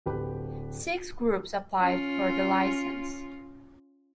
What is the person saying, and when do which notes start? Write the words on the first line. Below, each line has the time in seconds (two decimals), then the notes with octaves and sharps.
Six groups applied for the license.
0.06 D1 G4 B4
1.77 C#4 F4